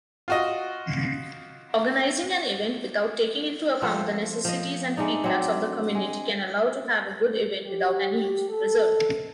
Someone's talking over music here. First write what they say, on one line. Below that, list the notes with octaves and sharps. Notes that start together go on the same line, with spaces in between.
Organizing an event without taking into account the necessities and feedbacks of the community can allow to have a good event without any useful result.
F4 F#4 D#5
F3 A3 C4 C5
F3 D#5
G#3 A3 D4 D#4
F#3 C4 D4
G#3
G4
A4